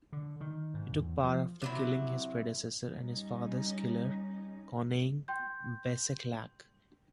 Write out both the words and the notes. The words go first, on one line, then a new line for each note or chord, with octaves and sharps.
He took power after killing his predecessor, and his father's killer, Conaing Bececlach.
D3
D#3
G#2
E2
F3
C3 F#3 E4
G3 C#4 D#4
G5 C6 G6